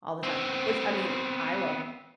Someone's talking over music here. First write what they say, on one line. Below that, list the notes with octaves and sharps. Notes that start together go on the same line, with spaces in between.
all the time," which, I mean, I love
B3 C4